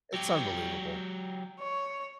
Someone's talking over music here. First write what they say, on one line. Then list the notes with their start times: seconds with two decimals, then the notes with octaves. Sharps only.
It's unbelievable.
0.14 F#3 G4
1.59 C#5